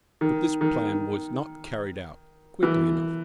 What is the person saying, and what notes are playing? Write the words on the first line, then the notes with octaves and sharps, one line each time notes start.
But this plan was not carried out quickly enough.
D#3
D#3
E3